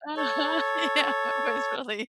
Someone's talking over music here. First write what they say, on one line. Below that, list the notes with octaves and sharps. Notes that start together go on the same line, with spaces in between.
Uh-huh, yeah, it was really
A4 C#5